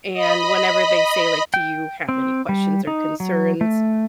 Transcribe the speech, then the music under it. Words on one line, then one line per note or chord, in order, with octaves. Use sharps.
and whenever they say, like, "Do you have any questions or concerns?"
D#5 B5
G5
C4
G3
D#4
F#3
A3